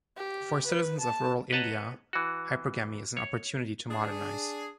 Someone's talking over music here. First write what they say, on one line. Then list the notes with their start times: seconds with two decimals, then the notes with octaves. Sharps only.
For citizens of rural India, hypergamy is an opportunity to modernize.
0.17 G4
0.67 B4
1.01 A5
1.52 B4 C#5 D#5 F#5 A5 A#5
2.13 E3 F#4
3.17 C#5
3.90 D4 G#4